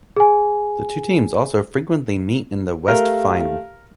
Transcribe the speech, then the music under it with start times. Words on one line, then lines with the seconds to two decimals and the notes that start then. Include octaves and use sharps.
The two teams also frequently meet in the West Final.
0.16 G#4 G#5
2.88 A3 G4 A#4 F5